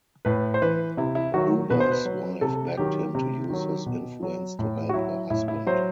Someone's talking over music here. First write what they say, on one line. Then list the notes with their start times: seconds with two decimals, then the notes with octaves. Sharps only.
Huber's wife begged him to use his influence to help her husband.
0.25 A2 B4
0.54 C5
0.62 E3 B4
0.97 C3 E4
1.15 E4
1.34 D#3 F#3 F#4
1.70 B2 B4
1.80 C5
1.91 B4
2.05 F#3
2.41 C3 A4
2.77 D#3 F#3 G4
3.15 C3
3.50 D#3 F#3
3.86 B2
4.23 F#3
4.59 A2
4.89 F#4
4.94 F#3 E4
5.30 A2 E4
5.48 E4
5.67 F#3 C5